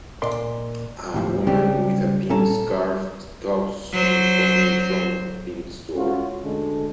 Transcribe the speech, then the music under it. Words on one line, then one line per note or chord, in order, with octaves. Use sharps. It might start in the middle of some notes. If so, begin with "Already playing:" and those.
A woman with a pink scarf talks on the phone in front of a Pink store.
A#2 A#4 D5 D#5 C6
D#2 A2 D#3 F3
C#3 E3 G3 C4 D4 G4
A#2 E3 C#4 A4 A#5
F#3 C5
G#3 C#4 F4 F#4
D2 D3 G#3 A4